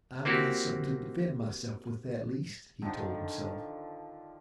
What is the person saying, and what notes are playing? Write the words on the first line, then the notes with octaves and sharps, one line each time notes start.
"I've got something to defend myself with, at least," he told himself.
A#3 C4 E4 F#4 G4
D3 D#3 F3